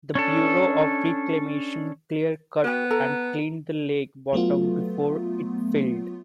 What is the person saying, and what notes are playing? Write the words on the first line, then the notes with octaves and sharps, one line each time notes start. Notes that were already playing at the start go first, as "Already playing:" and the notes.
The Bureau of Reclamation clear cut and cleaned the lake bottom before it filled.
C#4 D4 A4
B3 F#4 G5
A4 A#5
F#3 A3 B3 F4